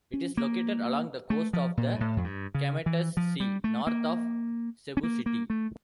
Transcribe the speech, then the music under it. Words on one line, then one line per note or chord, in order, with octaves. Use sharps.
It is located along the coast of the Camotes Sea, north of Cebu City.
C#4
A#3
A3
F3
A#2
G2
A2
F2
G2
C#3
E3
F3
G3
A3
A#3
C#4
A#3
A#3
A3